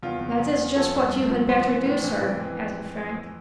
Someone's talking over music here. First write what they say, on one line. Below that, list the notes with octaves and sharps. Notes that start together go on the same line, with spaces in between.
"That is just what you had better do, sir," added Frank.
E2 F4
E2
E2
E2
F3 A4
G2
G2
F3
E3 C5
E3
A2
E3
F2
E3